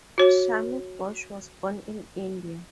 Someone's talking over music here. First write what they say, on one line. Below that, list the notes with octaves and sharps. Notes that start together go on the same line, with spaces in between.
Shami Ghosh was born in India.
F#4 C#5